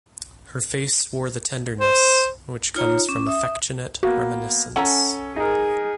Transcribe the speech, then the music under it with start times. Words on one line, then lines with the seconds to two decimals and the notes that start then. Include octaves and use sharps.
Her face wore the tenderness which comes from affectionate reminiscence.
1.81 C5
2.75 D#4 F4 C#5 A#5
3.09 C#4 D6
3.26 E5 D#6
4.03 A#3 B3 F#4
4.76 C#4 A4 F#5 G#5 A#5
5.36 D#4 G#4 A#4